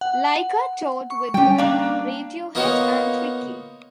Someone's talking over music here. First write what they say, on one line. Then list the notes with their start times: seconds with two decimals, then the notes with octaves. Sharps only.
Laika toured with both Radiohead and Tricky.
0.01 F#5
1.10 C#6
1.34 G3 C#4 G4 G5
1.58 A#3 D4 F5
2.55 A#3 B3 D#4 F4 C#5